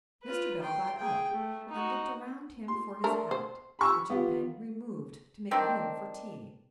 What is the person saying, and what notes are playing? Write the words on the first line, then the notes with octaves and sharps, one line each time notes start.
Mr. Bell got up and looked around him for his hat, which had been removed to make room for tea.
F4 B4
G5 C6
G#4 G5
A3
D#4 F#4
C6
A3 D4 A#4
C5
B5 C#6 E6
B3 F4 G4
D#3 C4 D4